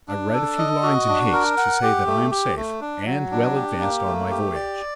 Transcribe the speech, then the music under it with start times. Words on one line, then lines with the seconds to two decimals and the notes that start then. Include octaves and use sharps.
I write a few lines in haste to say that I am safe--and well advanced on my voyage.
0.08 D4
0.33 A4
0.58 D#5
0.83 F#4
1.08 D4
1.33 A#4
1.57 F#5
1.83 G4
2.07 A3
2.31 G4
2.56 A3
2.81 D4
3.06 F#3
3.31 D4
3.55 G4
3.81 A#3
4.05 A3
4.31 G4
4.55 D5